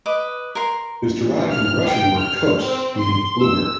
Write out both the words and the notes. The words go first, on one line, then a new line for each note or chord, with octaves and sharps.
It is derived from Russian word "kos" meaning bluebird.
B4 D#5 D6
A#4 C6
F6
G5
F6
C4
C6
E6